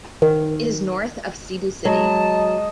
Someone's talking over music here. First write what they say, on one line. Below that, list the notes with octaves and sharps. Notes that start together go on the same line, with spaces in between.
It is north of Cebu City.
D#3
F#3 G#3 D#5 A5